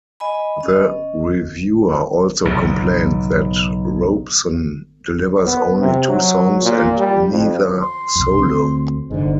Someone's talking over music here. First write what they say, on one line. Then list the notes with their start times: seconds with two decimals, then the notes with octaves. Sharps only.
The reviewer also complained that Robeson "delivers only two songs and neither solo".
0.20 D#5 G#5 B5
0.61 C#4 D#5
2.45 B1 G#2 C#3
5.45 B3
5.79 C3
6.08 F#3
6.62 A#2
6.97 G3
7.30 F2
7.82 C6
8.15 B1 F2
8.38 D2 C4
9.11 G1 G#2 D3